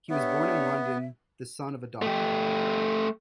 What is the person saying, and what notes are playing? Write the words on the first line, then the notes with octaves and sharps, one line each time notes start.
He was born in London the son of a doctor.
B3 D4 G4 C#5 E5
A3 G4